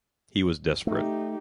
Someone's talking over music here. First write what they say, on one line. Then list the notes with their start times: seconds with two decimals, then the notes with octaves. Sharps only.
He was desperate.
0.87 A3 D#4 G4